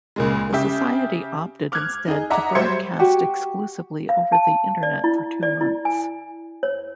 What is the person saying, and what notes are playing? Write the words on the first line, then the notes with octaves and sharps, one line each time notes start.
The society opted instead to broadcast exclusively over the Internet for two months.
C#2 A#2 G#3
C#3 G4 E5
D6 F6 F#6 G#6
D#4 G#4
D#5 E5 F#5 A#5 D6
F#3 G3 C5 E5 G#6 C#7
F#4 G4 F#5
F5
A5
D5
E4
D5
E4
G#5
C#5